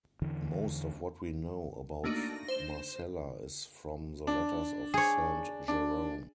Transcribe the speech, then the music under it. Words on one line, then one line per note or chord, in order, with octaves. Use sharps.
Most of what we know about Marcella is from the letters of Saint Jerome.
E2 D3 E3
A3 A#3 D4 D#4 F#4
A#6
C5 E7
D4
G#4 C#5
D4